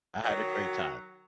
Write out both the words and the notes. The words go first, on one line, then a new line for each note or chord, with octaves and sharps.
I had a great time.
D#3 F#3